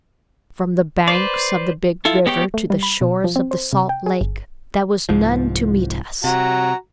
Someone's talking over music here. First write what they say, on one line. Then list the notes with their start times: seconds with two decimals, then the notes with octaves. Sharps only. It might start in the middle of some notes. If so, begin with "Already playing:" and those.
From the banks of the big river to the shores of the salt lake, there was none to meet us.
1.08 B4 C5 D5
2.05 E4 F4 A4
2.26 G#3 B3 G4 C#5 G5
2.54 A3
2.70 G3
2.83 B5
3.01 B2
3.24 F3
3.36 C4
3.51 C5
3.73 C3
3.89 G5
4.06 G#4
4.21 G1
5.09 C2 G#2 F3
6.24 C3 F#4 A#5